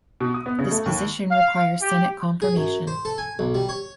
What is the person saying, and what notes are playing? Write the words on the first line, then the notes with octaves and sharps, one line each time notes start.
This position requires Senate confirmation.
B2
D#6
B3
C#3
A3
D#2
F5
G4
G#4
F#2
C5
A4
G#5
B1
G3
C#5